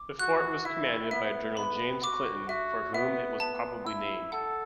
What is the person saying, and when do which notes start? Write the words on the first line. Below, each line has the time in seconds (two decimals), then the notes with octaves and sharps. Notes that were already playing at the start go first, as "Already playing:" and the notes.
The fort was commanded by General James Clinton, for whom it was probably named.
Already playing: D6
0.19 F#4 F#6
0.65 E4 E5
1.11 B3 E5
1.57 B3 B5
2.03 F#4 D6
2.48 F#4 E5
2.94 B3 E5
3.40 B3 A5
3.86 E4 E6
4.32 A4 F#5